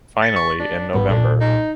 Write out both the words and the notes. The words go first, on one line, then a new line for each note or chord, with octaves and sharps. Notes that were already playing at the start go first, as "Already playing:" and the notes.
Finally in November.
A6 B6 C#7
C#6
D4
A1 G#2 G3 B3
B1 A#2 D4 A4
D#4